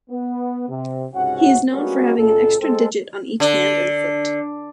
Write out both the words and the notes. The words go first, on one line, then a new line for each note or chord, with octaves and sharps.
He is known for having an extra digit on each hand and foot.
B3
C3
C#2 G#2 C3 C#4 F#4 F#5
G3 G#3 A#3 B3 C#4 F#4
C#2 A#2 A4
G#3 C4 A4
D3